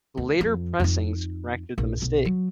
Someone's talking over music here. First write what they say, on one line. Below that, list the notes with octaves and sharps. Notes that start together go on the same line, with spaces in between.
Later pressings corrected the mistakes.
D2
F2
F2 D#4
A#1
B1
F#3